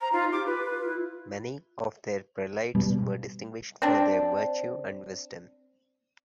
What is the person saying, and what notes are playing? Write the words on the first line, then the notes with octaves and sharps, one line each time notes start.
Many of their prelates were distinguished for their virtue and wisdom.
C5 A#5
D#4 F4
G4 D6
F4 B4
B4
E4
B2 G3
C4 D4